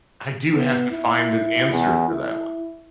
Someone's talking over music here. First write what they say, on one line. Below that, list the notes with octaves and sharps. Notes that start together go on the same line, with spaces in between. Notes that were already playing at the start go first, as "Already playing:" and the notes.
I do have to find an answer for that one.
B3
E4
E2
E4